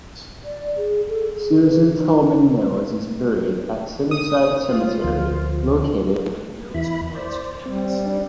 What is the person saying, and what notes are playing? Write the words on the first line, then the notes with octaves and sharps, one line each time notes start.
Susan Tolman Mills is buried at Sunnyside Cemetery, located on the Mills College Campus.
D5
G#4
A4
G#4
B4
D#4
D#4
D#6
F4
D2 F3
E2 E4 B5
C5 D5
G3 C4
D4